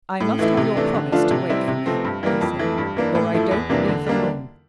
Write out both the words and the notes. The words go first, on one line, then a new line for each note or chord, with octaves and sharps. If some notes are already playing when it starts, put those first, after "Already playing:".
"I must have your promise to wait for me," he said, "or I don't leave the room."
A2
E3 A3 E4
C3
E3 A3 D4
D3
F3 A3 D4 F4
C3
G3 C4 E4
C3
F3 A3 C4
G2
E3 G3 A#3
F2
E3 A3
G2
E3 A#3 D4
A2
F3 A3 E4
E2
C3 E3 A#3 D4
D3
G3 A#3 D4